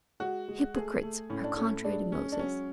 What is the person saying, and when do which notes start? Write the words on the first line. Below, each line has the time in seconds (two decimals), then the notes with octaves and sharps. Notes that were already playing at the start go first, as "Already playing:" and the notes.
Hypocrites are contrary to Moses.
0.20 G#3 F#4
0.48 G#3
0.76 A3 G#4
1.03 A3
1.30 A2 C#4
1.44 D4
1.57 A3 C#4
1.84 G#3 D4
2.11 G#3 C#4
2.32 D4
2.39 F#3 C#4